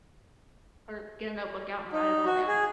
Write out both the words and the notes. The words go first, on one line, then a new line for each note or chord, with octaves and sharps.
or get a notebook out and write it all down.
D#4
F#4
G#4